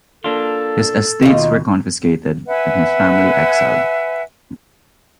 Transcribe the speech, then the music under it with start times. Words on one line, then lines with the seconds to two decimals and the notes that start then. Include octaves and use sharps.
His estates were confiscated and his family exiled.
0.24 A#3 D4 F4 A4
1.22 D#2 B2 D#4 F4
2.47 B4 E5 F#5 G#5